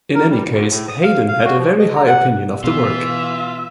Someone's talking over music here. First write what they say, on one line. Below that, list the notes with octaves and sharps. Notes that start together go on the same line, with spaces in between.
In any case, Haydn had a very high opinion of the work.
A#4
G3
D2
A2
D#6
F5
F5
F#4
F3
D#5
A#5
F#5
B2 E3 F4 E5